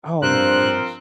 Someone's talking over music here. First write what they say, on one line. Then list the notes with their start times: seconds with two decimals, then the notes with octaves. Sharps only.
Oh my gosh.
0.22 G2 F3 C4 A#4 F#6